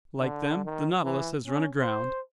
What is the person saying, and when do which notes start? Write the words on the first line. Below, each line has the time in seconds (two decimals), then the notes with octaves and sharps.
"Like them, the Nautilus has run aground!"
0.18 D3
0.65 D#3
1.04 E3
1.46 C#4
1.80 C5